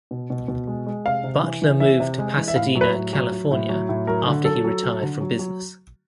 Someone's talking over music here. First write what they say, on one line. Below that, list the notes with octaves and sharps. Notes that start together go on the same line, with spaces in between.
Butler moved to Pasadena, California after he retired from business.
B2
B2
B2
G#3
G#3
C3 F5
C3
E3
E3
E3 E5
C3
G#3
E3
E5
A2 F5
F#3
B4
A2
F#3
F#3
A2
F#3
A2
F#3 A#4
D3
F#3 A4
F#3
F#3
D3
F#3
F#3